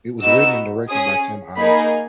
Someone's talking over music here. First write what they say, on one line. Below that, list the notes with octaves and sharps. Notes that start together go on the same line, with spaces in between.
It was written and directed by Tim Haines.
B3 D#4 F#4 E6
C#4 G#4 D#6
A#3 D#4 G#4 B5